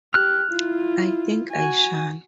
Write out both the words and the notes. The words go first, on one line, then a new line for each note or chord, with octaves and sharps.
I think I shall.
G4 F6 F#6
E4 F4
F#4 G#5